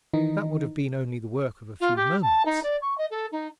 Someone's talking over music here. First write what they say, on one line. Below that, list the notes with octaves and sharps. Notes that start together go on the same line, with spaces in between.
That would have been only the work of a few moments.
D#3 E3 D#4
F4
G4
A5
D#4
D5
C#6
D#5
A4
D#4